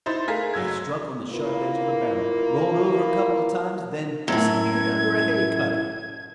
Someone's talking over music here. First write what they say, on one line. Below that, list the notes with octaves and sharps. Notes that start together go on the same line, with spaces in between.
I struck on the sharp edge of a barrel, rolled over a couple of times, then disappeared under a hay-cutter.
D#4 E4 C5 A6
A3 G#4 A#4 F5 B6
F#1 F#3 E6 G#6
A#3 E4 F4 A#4 B4
F#2 A2 G#6